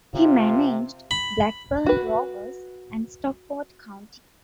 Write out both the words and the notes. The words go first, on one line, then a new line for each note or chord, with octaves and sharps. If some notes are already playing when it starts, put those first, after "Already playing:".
He managed Blackburn Rovers and Stockport County.
C3 F4
B5
F#4 B4